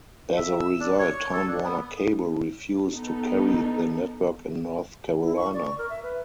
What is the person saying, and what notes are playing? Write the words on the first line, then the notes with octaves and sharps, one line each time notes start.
As a result, Time Warner Cable refused to carry the network in North Carolina.
E5
E6
D4
C#5
A4
D4
B3
B3 D#4 A4
E4
C#6
D5
C#6
A#4
E5
B4